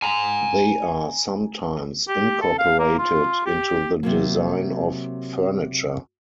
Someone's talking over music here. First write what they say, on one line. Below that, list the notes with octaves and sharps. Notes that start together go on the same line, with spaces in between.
They are sometimes incorporated into the design of furniture.
G#5 A#5
G4
A4
F5
A#3
F4
G4
C3 F#3 A#3